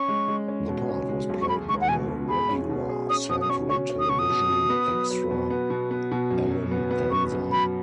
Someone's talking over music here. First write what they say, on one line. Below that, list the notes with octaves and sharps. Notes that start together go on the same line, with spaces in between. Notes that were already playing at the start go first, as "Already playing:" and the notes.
The part was played by a regular Central Television extra Allan Anza.
Already playing: C#4 C#6
G#3
G#3
C#4
B2
C#4
G#3
B1
C#6
G#4 B5
G#3 C#6
F#5
B2 G#5
B2
G#4 B5
C#4
B2
G#4
C#4 D#6
B2 D#6
D#6
C#4 C#6
C#4 C#6
C#4
D#6
B2 C#6
D#6
B2
B2
B3
F#3
F#3
B2
B3
B2
B3
B2
F#2
F#3
B3
B3
B3 C#6
F#2
F#3 B5